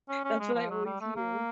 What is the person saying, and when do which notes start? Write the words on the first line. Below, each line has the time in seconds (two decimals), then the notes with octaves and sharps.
That's what I always hear.
0.09 C#4
0.25 C#4
0.40 G#3
0.55 F3
0.71 F#3
0.86 G3
1.01 A3
1.17 A#3